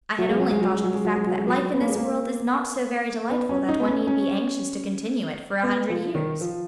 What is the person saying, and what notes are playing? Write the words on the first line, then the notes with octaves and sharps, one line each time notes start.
I had only thought of the fact that life in this world is not so very delightful that one need be anxious to continue it for a hundred years.
F#3
G#3
F#3
G#3
F#3
G#3
F#3
G#3
F#3
G#3
F#3
G#3
F#3
B3
A#3
G#3
A#3
B3
C#4
D#4
B3
C#4
C#4
B3
F3
D#3
F3